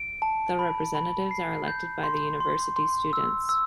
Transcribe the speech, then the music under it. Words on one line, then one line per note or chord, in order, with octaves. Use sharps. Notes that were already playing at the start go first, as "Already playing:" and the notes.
The representatives are elected by the university students.
Already playing: D7
A5
B5
B5
C7
G6
C6
C6
C6
E6
E6